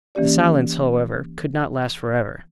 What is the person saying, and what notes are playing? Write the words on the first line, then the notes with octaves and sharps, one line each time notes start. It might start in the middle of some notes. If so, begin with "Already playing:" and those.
The silence, however, could not last forever.
E3 A#3 C#4 G4 D5